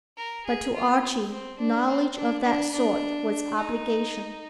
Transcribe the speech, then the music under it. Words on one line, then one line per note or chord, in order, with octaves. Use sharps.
But to Archie knowledge of that sort was obligation.
A#4
G#4
F4
C4
D4
C4
D4
D4
D4
D#4